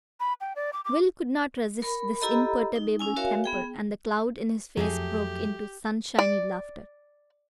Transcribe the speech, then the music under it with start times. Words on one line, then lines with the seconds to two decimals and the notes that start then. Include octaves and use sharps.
Will could not resist this imperturbable temper, and the cloud in his face broke into sunshiny laughter.
0.20 B5
0.41 G5
0.56 D5
0.73 D6
0.85 D6
1.82 A#4 B5
2.21 E4 G4 A4 D#5 A#5 B5
2.76 D#4
2.99 C#4 E4 G#5
3.16 F#4 A#4 C#5 E5 F5 G#5
3.44 B3 G#4 G5
4.77 F2 F#3 A3 G4 G#4
6.19 D5